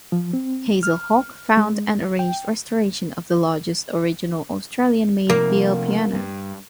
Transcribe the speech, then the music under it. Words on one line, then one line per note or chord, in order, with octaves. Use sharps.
Hazel Hawke found and arranged restoration of The Lodge's original Australian-made Beale Piano.
F3
C4
F6
G#3
G5
C3 F3 A#3
G2